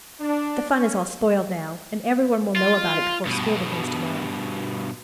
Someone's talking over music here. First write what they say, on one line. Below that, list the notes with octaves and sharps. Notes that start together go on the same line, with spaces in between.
"The fun is all spoiled now, and everyone will know about it before school begins to-morrow."
D4
C#4
F4
G2 B2